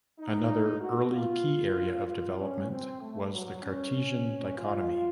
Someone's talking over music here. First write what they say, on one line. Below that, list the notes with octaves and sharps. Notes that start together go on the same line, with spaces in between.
Another early key area of development was the Cartesian Dichotomy.
D#4
F#4
F4
F4
C#4
C4
A3
F#3
C#4
F4